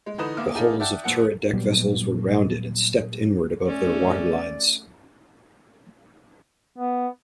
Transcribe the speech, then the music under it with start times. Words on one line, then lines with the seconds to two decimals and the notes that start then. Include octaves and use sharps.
The hulls of turret deck vessels were rounded and stepped inward above their waterlines.
0.06 G#3
0.18 D3 E3 D#4 B4 D#6 E7
0.37 A1 A#3 B3 E5 D6 F6
0.55 B3 D#4 E4 G#4 A4 F5
0.80 D5 E5 F#5 G5 A5
1.04 F1 A#2 F3 F#5 C#7
1.53 A#2 F#3 G3 B3
3.66 A3 C#4 D5
6.78 B3